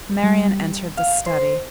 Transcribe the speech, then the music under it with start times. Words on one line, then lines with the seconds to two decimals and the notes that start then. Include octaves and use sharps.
Marian entered the study.
0.24 G3
0.97 F5
1.26 C5